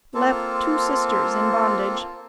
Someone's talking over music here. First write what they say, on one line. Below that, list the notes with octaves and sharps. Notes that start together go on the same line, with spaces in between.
Left two sisters in bondage.
A#3 C4 F4 A4